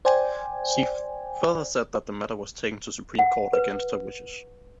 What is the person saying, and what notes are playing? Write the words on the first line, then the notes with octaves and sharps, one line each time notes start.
She further said that the matter was taken to Supreme Court against her wishes.
C5 D5 G5 G#5
F#5
B4